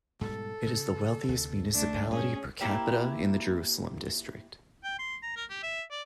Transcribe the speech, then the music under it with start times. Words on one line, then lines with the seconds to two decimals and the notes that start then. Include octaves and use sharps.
It is the wealthiest municipality per capita in the Jerusalem District.
0.21 G#2 B2 G3 A4
0.67 C#3
1.29 D2 C3
1.72 A3 D4
2.11 G2 A#2 G#3 C#4 G#4
2.61 A#3 C4 E4 G4
4.83 G5
4.99 C6
5.22 A#5
5.36 A#4
5.49 G4
5.63 E5
5.91 D5